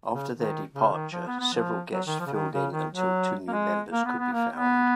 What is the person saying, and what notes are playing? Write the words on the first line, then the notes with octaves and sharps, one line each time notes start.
After their departure, several guests filled-in until two new members could be found.
C#3
D#3
C#3
D#3
F3
B3
B3
F3
F#3
D#3
F3
C#3
D#3
C#3
D#3
F#3
A#3
G#3
A#3
B3
B3
A#3
B3